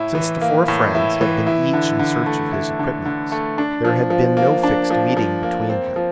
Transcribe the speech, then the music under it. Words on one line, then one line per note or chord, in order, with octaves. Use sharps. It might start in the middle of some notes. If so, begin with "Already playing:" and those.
Since the four friends had been each in search of his equipments, there had been no fixed meeting between them.
Already playing: A2 E4
E3
A#3
A2
E4
E3
E4
D3
D3
A3
E4
D3
D3
A3
D4
F3
F3
A#3
D4
F3
F3
A#3
C4
F3